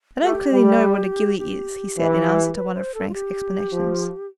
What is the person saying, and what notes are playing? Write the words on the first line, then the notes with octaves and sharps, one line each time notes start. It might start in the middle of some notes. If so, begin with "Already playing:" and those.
"I don't clearly know what a gillie is," he said, in answer to one of Frank's explanations.
A3 G4
G3
G4
E3
B4
C5
A4
F4
G4
F3